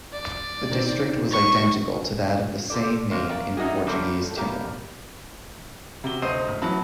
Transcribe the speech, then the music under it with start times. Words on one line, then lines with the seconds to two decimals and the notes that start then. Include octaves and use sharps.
The district was identical to that of the same name in Portuguese Timor.
0.14 D5
0.71 D#3 C4
1.31 C#6
2.70 F4 G4 A4 C5 D5
3.11 G#3 A#3 C4 F#4
3.29 A#4 D5 F5 G5
3.57 C#4 D#4 E4 F#4 G#4
3.87 F#3 G3 A3 A#3 C4 D4
4.37 A#3 B3 G4
6.04 C3 F#4 G7
6.22 D2 C5 D#5 C7 D#7
6.48 D1
6.62 E3 F#3 B3 A5 B5